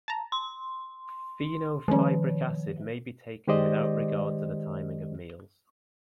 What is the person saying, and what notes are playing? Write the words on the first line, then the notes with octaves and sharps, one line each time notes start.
Fenofibric acid may be taken without regard to the timing of meals.
A5 A#5
C6
D#3 F3 G#3 A3 C#4
D#3 G#3 G4 C5 D5 D#5